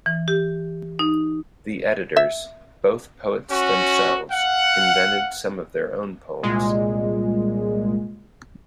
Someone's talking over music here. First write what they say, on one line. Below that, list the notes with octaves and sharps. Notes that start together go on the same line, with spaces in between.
The editors, both poets themselves, invented some of their own poems.
E3
G4
D#4
E5
C#4 F#4
F5 F#5
C2 A#2 G#3